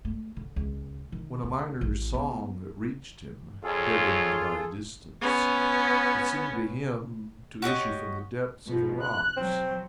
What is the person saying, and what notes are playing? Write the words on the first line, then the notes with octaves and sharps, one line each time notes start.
When a miner's song reached him, deadened by distance, it seemed to him to issue from the depths of the rocks.
A3
D3
C#2
D#3
D2
A1
B3
F2 F4 G#4 A4 C#5
B3 C#4
F#4 G4 C#5 D#5
B2 F3
F#6
F#3 C4